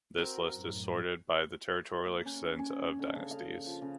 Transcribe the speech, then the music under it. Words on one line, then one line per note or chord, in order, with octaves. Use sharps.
This list is sorted by the territorial extent of dynasties.
C4 F#4 A#4
F#2 A2
A#3
C#4
C#4
D3
C#3
F5
F3
C#3